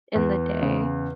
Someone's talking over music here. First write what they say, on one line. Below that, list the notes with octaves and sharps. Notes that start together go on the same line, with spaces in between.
in the day,
E2
C#3